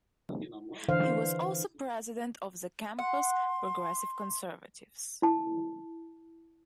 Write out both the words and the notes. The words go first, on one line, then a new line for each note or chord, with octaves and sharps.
He was also president of the campus Progressive Conservatives.
D3 E3 C5 F5
F#5 C6
E4 A5